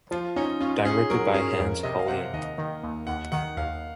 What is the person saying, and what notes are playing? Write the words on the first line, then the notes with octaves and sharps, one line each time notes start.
Directed by Hans Hollein.
F3 F4
C#4 D#4
C#4 F4
C#4 G#4
F#3 A#4
C#4 G#4
F2 A#4
C3 D#5
F5
C3 F#5
D#2 D#5
D#3
D#2
D#2 F#5
D#3 F#5
D#2 F5